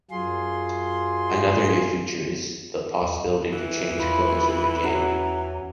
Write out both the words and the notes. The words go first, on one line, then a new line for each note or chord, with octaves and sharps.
Another new feature is the possibility to change clothes in the game.
F#2 F#3 F4 G#4 C6
E2
F2
E3
E2 F4 B5
C#4 F#4 A#5